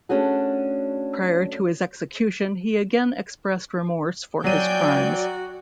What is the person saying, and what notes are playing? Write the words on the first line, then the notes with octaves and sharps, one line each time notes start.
Prior to his execution, he again expressed remorse for his crimes.
A3 C#4 D4 F#4 G#4
F#3 F#4 D5 G5 G#5 G6 D#7